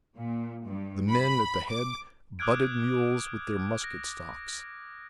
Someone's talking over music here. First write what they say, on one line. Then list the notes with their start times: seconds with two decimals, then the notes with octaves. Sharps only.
The men at the head butted mules with their musket stocks.
0.17 A#2
0.65 G2
1.10 B5
1.69 D6
2.39 D6 D#6 F6 F#6 G#6 D7
3.84 A#6